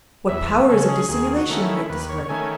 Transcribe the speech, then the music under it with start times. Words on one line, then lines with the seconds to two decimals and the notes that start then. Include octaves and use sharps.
What powers of dissimulation he had displayed!
0.29 E2 E5
0.69 C#3 G#3 C#4 A4
0.89 G#4
1.09 D#2 G#4
1.36 F#4
1.49 D#3 A3 C#4
1.62 E4
1.89 D#2 B4
2.09 C#5
2.29 D#3 A3 C#4 G#5